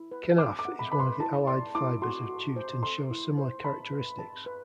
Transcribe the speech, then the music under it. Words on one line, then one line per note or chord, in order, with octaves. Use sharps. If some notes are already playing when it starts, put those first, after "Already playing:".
Kenaf is one of the allied fibres of jute and shows similar characteristics.
Already playing: E4
B4
C6 D6
D6
F#5
B5
B4 B5
C6
E4 A5
D5 C6
E4 D6
F#4 C6
F#4
C5
A4 C6
E4
C5
A5 B5
B4
A5
B4